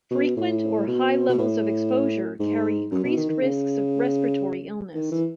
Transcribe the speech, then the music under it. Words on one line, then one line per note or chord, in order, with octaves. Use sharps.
Frequent or high levels of exposure carry increased risks of respiratory illness.
B2
A2
B2
B2
A2
G#2
F#2
B2
D#3
D#3
C#3
D#3
E3